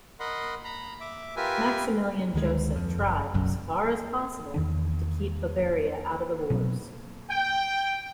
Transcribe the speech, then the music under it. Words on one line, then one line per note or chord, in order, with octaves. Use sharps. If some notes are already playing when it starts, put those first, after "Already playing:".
Maximilian Joseph tried, as far as possible, to keep Bavaria out of the wars.
A#4 D#5 F#5 B5 C6
A#5 B5
E5 D6
F4 G4 A#4 B4 E5 G#5
D2 D#3 G3 G#3
F2
F#1
F#1 B1 F#2
E2 D#3 D4
B2 F#3 C4
G5